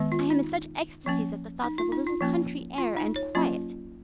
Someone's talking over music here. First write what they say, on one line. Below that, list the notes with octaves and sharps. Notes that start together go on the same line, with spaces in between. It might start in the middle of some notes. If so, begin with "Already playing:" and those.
I am in such ecstasies at the thoughts of a little country air and quiet!
Already playing: D#3 G#3 B3
F4
D#4
F3 A#3 C#4
D#4
F4
D#4
F4
F3 A#3 C#4
F4
D#4
C#5
F#3 A#3 C#4 F4